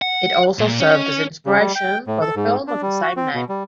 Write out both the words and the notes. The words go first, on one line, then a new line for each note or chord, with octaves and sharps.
It also served as inspiration for the film of the same name.
F#5
A#2
C#4
C#3
G3
G5
A2
A4
G#2
D4
G3
F#4
C4
B2
G3